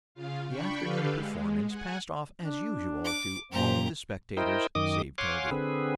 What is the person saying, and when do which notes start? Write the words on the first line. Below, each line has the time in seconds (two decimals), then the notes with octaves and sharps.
The afternoon performance passed off as usual to all of the spectators save Toby.
0.15 C#3 F4 F5
0.48 D4 G5 B5 C#6
0.81 D3 G4 A4 B4 F5
1.16 G#3
1.69 F#5 G#5
2.42 D4
3.05 D6
3.52 F#2 A#2 G4 C5 A#5
4.37 E4 A#4 C5 D#5 G5
4.75 F#2 D#3 D#5 D6 D#6
5.18 C#5 F5 F#5 G#5 C6 D6
5.51 D3 C4 G#4 B4